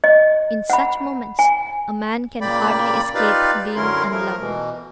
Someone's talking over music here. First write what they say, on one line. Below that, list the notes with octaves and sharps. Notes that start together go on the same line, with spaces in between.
In such moments a man can hardly escape being unloving.
D#5
F#5 B5
G#5
A#2 C#3 A#3 D5 G5 B5
D#4 F4 G4 B4 D5 F5
F#2 D3 C#4 E4 A#4 C6
F3 A3 A#4
B2 E3